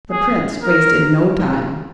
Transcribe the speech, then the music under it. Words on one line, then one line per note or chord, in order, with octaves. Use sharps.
The prince wasted no time.
G#4
A#4